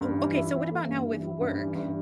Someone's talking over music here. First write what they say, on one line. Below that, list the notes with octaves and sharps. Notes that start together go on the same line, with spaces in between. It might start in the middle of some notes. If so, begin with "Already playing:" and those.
ooh, okay, so what about now with work?
G2
E3
E4
E3
A#3
G2
E3
E4
G2
E3
G2